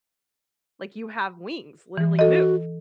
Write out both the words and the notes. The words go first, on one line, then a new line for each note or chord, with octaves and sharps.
Like, "You have wings, literally move."
E3
F#4 A4 D#5